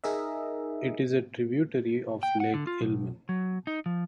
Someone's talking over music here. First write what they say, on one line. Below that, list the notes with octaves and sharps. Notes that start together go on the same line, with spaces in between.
It is a tributary of Lake Ilmen.
D#4 G#4 A#4 D#5 E5
G5
F#5
D3
F4
B1
F#3
D#4
F3